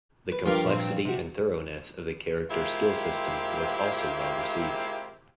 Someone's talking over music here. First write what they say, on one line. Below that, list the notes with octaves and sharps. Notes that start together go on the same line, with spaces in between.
The complexity and thoroughness of the character skill system was also well received.
B4
G2 F3 F4 G4 A#4
A#2 C4
C3 F#4
G#3 A#3 C4 E4 F4 G4